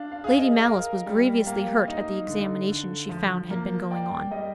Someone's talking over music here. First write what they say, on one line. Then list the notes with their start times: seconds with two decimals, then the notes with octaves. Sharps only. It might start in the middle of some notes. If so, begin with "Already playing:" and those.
Lady Malice was grievously hurt at the examination she found had been going on.
Already playing: D4 F5
0.12 F5
0.24 G#4 F5
0.39 D#5
0.65 A#4 F5
1.06 G3
1.47 A#3 F5
1.88 D#4
2.28 D3
2.69 D3
3.09 F3
3.51 A#3
3.91 D5 G5
4.31 G3 D#5